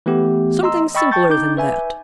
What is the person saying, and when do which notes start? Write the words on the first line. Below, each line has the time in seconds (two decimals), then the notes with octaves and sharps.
Something simpler than that.
0.06 E3 A3 B3 G4
0.63 D#5 A#5 C6 E6
0.95 D#5 G5 B5 C#6 E6 A6
1.11 G5 A5 C#6 G6 A6
1.30 D#4 D6 G6
1.57 B4 E5 G#5